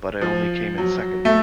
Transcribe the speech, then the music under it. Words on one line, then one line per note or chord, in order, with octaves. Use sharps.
But I only came in second.
F3
F#3
A3